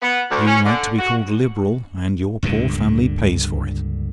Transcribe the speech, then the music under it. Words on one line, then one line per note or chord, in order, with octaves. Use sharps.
You like to be called liberal--and your poor family pays for it.
B3
D2
C#4
D3
F#4
C#2 G2 A#2 D3